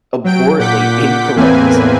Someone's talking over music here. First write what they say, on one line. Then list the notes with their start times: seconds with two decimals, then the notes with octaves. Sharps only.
abhorrently incorrect
0.24 F#3 G5 D7
0.59 A#2 F#5 D6 G6 B6
1.36 E2 A2 A#3 C4 B4 G#5